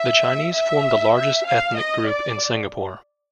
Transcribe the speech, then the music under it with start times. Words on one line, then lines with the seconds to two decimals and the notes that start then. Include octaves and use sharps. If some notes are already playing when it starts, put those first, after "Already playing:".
The Chinese form the largest ethnic group in Singapore.
Already playing: E5
0.54 E5
1.16 E5
1.46 F5
1.78 D#5
2.09 D5